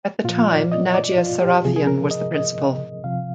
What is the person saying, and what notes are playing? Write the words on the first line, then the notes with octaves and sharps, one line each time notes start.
At the time Nadya Sarafian was the principal.
A#2 F3 F4
D5
D#5
D5
F4
G4
C3 F3 G#4
G#4
A#4
D#5
D#5
C3 F3 F5